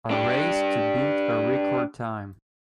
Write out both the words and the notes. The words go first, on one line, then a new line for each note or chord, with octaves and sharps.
A race to beat a record time.
D4 G4